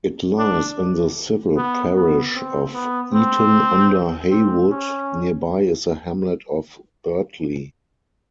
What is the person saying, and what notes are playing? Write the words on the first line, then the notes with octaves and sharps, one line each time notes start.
It lies in the civil parish of Eaton-under-Heywood; nearby is the hamlet of Birtley.
D4
B3
B3
C4
B3
C4
C4
C#4